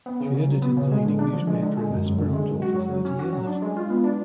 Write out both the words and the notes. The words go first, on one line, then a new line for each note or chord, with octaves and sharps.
She edited the leading newspaper in Esperanto for thirty years.
B3
C#3
C#3
F#3
B3
C#3
G#3
D3
D4
F3
G#3
D3
G#3
F#2
F#2
D3
G#3
F#2
F#4
F#3
F#3
C#4
F#4
F#3
D4
G#3
F4
B3
D4